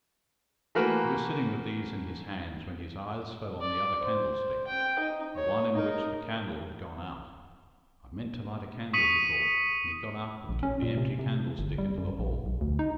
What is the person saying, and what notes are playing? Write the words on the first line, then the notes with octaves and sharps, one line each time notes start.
He was sitting with these in his hands when his eyes fell on the other candlestick, the one in which the candle had gone out "I meant to light a candle," he thought, and he got up and took the empty candlestick into the hall.
E3 A3 A#3 F#4 A#4 B4
D5
C5
G5
D#4
C#5
D#4 A#4
C#6 D#6 B6 C#7 D#7 F#7
A#1
C#4
A#2
C3
C3
G1
G3
F#2
A#1
B1
D2
D#4